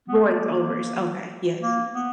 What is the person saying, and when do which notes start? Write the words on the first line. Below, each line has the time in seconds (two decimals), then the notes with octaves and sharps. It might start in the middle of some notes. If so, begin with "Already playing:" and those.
Voice overs, okay, yes, yes.
0.08 B3
0.24 A#3
1.62 A#3
1.93 B3